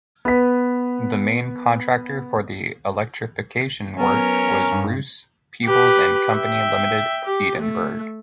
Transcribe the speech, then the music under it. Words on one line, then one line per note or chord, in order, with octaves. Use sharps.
The main contractor for the electrification work was Bruce Peebles and Company Limited, Edinburgh.
B3 B4 B6
F#3 B3 C#4 A#4
G2
G4 B4
E5 G5
G4
A3